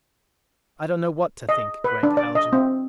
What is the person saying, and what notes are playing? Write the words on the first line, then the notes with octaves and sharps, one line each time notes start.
"I don't know what to think, Gregg Haljan...."
D#5
B4
D4
D5
D#5
C4